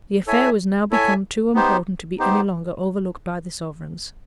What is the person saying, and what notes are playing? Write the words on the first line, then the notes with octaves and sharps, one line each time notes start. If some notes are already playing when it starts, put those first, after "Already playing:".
The affair was now become too important to be any longer overlooked by the sovereigns.
E4 A4 C#5 E5 G#5
E4 A4 C#5 E5 G#5
B3 D#4 G4 C5
B3 D#4 G4 C5